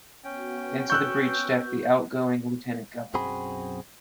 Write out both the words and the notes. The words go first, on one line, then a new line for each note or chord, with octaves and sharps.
Into the breach stepped the outgoing lieutenant governor.
B3 C#4 F#4 G5
C#6 E6 F#6 G6
B1 F#2 C4 F#4 G#4 B5